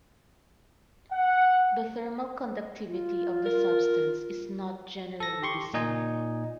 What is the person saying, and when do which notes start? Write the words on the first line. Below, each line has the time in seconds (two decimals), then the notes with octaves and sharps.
The thermal conductivity of the substance is not generally the same.
1.11 F#5
2.86 F4
3.46 A#4
5.20 A4 A#6
5.43 G4 C6 C#6
5.74 A#2 D#4 D#5 G#5